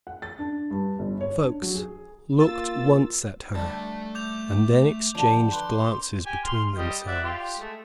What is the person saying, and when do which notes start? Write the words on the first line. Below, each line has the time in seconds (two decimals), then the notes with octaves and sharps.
Folks looked once at her, and then exchanged glances between themselves.
0.07 F#5
0.22 A6
0.39 D4
0.71 G2
0.99 G1
1.21 C#5
1.41 D4
1.62 F#3
1.75 G#4
2.40 A#3 F4 E6 A6
3.55 D3 G3 A3 D4 A5
4.15 D6 G6 F7
5.15 D3 F3 D4
5.53 B4 C6
6.26 G4 G#5
6.45 C6 F6
6.78 G3 G4 D#5
7.07 D5 E5 F#5
7.24 F4 G4
7.59 G#3 A3